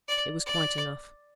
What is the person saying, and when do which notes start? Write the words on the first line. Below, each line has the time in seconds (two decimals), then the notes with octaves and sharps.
It was quite enough.
0.08 D5
0.46 D5